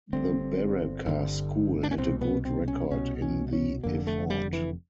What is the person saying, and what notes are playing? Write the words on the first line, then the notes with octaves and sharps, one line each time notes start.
The Baraka School had a good record in the effort.
G1 G2 D3 C4
G1 G2 D3
D4
C#4
C2 B2 C4
B3
C4
C#4
C2 B2 C#4
C#4
C#4
F1 F2 D3 A#3
A3
G3
E3